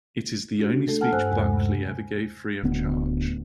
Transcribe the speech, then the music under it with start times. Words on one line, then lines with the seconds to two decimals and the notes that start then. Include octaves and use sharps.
It is the only speech Buckley ever gave free of charge.
0.59 D4 F#4 G4
0.88 A3 A4
1.01 F#5 G#5 A5 F6
1.12 G2 C5 G#5 E6 F#6
1.30 D#2 C3 G#3 G#5
1.54 G2 C3
2.63 D1 D2 B3